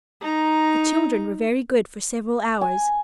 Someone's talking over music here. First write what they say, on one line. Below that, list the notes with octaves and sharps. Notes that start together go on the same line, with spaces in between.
The children were very good for several hours.
D#4 A#5
G#5